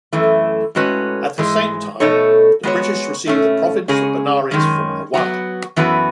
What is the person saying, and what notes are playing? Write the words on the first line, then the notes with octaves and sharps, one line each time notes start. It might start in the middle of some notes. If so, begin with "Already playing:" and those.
At the same time the British received the province of Benares from Awadh.
F#2 E3 A3
A2 G#3 C#4 F#4 B4
G#2 E3 G#3
B2 A3 D#4 A4 C#5
G#3 B3 F#4 C#5
B2 A3 C#4
C#3 G#3 C#4 G#4 C#5
F#2 D#3 G#3 C#4
F#3 B3 F#4
F#2 E3 B3 F#4 B4